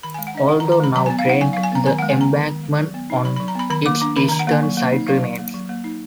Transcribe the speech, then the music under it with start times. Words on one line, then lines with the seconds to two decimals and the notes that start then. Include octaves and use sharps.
Although now drained, the embankment on its eastern side remains.
0.03 D#3 B5
0.14 G#5
0.19 G#3
0.27 F#5
0.35 D4 D#5
0.49 D#3 F#5
0.60 A#5
0.65 D#3
0.72 A#5
0.80 G#3 B5
0.96 F#3 A#5
1.06 G#5
1.10 B3
1.19 F5
1.25 D#4 F#5
1.41 F#3 G#5
1.53 F5
1.57 F#3
1.63 G#5
1.72 B3 A#5
1.86 D#3 G#5
1.99 F#5
2.02 G#3
2.10 G#5
2.18 B3 A#5
2.33 D#3
2.48 D#3
2.63 G#3
2.79 F#3
2.94 B3
3.10 D#4
3.25 F#3 B5
3.36 B5
3.40 F#3
3.48 A#5
3.55 B3 B5
3.70 D#3 B5
3.86 A#3 D6
4.01 D4 D6
4.16 D#3 B5
4.29 A#5
4.32 D#3
4.39 F#5
4.47 A#3 G#5
4.63 F#3
4.77 A#3
4.92 D#4
5.08 F#3 F5
5.23 F#3
5.38 A#3
5.54 F#3
5.69 A#3
5.84 D#4